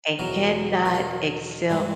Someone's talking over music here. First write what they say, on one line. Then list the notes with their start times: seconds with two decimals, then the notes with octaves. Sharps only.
and cannot accept
0.19 E2 B2 F#3 A#4
0.85 B4
0.94 A#4
1.70 G2 E3 G#3 C4